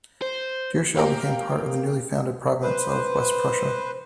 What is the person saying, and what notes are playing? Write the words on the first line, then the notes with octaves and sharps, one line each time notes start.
Dirschau became part of the newly founded Province of West Prussia.
C5
A#3 G4 A#4
B4 C5